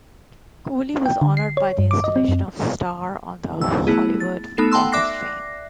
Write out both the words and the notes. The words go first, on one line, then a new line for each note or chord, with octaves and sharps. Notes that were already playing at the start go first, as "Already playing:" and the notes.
Cooley was honored by the installation of star on the Hollywood Walk of Fame.
G5
D3
C7
C#5
G2
D6
D#5
C4
F#2
E6
A3 B3 E4 G#4
A6
A3 B3 D#4 A4 C7 E7
F#5 G5 A5 C6 E6
D5 E5 D6 F#6 A#6 C7